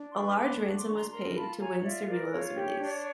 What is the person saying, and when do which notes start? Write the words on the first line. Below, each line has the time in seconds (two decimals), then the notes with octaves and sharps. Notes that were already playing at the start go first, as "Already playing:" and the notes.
A large ransom was paid to win Cirillo's release.
Already playing: D4
0.11 C6
0.17 B4 B5 C#6
0.40 D4 C6 D6
0.65 F#4
0.76 C6 D6
0.87 D4 C#6
0.94 A#5 C6
1.11 A#4 A#5 C6
1.36 F4 A5 B5
1.59 C#5 G#5 A#5
1.83 F4 D5 E5
2.07 A#4 D5
2.31 F4 C#5
2.54 G4
2.78 D4